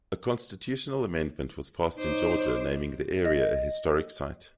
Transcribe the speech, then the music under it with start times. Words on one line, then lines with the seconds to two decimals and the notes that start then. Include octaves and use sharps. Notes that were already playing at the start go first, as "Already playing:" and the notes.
A constitutional amendment was passed in Georgia naming the area a historic site.
1.97 D#4 C5 C#5 D6
3.25 D#5